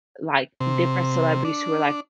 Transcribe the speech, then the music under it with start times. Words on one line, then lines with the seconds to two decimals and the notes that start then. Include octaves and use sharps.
like different celebrities who were, like,
0.61 C3
1.45 D4